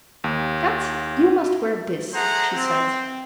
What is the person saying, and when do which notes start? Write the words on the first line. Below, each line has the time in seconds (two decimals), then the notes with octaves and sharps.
"Kat, you must wear this," she said.
0.24 D#2
2.14 A3 G#4 C5 F#5 A#5
2.53 C4